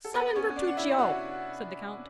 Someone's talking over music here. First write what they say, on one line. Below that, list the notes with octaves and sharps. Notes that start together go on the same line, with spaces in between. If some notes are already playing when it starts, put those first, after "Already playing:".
"Summon Bertuccio," said the count.
A4
B3 B4
C#4 C#5
D4 D5
F#5
E4 E5
F#4 F#5